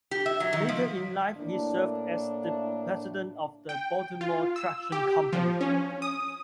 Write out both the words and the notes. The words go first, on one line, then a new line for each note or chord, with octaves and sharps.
Later in life he served as the President of the Baltimore Traction Company.
G4
E5
F#3
D#3
F3
A2 A#3 D4
G5
F4
E6
G4
F3
C#4
D#6